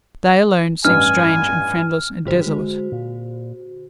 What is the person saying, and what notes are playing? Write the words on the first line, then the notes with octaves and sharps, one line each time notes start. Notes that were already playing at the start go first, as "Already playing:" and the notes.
They alone seemed strange and friendless, and desolate.
A1 G2 G#5 F6
G#1 G2 D3 F#4 C5
G#3
A#2